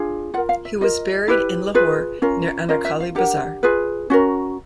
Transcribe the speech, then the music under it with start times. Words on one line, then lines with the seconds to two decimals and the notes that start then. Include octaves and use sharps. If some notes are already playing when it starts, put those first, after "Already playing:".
He was buried in Lahore near Anarkali Bazaar.
Already playing: D4 F4 G#4
0.34 F4 F#5
0.37 A#4
0.49 F5
0.65 E5
0.81 F4 A#4 D#5
1.28 E4 G4 B4
1.75 F4 G#4 B4
2.22 C#4 F4 A#4
2.68 C#4 F4 A#4 D#5
2.85 E5
3.00 F5
3.15 D4 G4 A#4 F#5
3.63 F4 G#4 B4
4.10 C#4 F#4 A#4